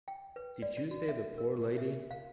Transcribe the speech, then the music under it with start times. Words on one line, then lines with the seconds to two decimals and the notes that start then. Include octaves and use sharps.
Did you save the poor lady?
0.08 G5
0.36 B4
0.62 D5
0.77 D5
0.91 F#4
1.09 E5
1.38 A#4
1.78 E5
2.11 F5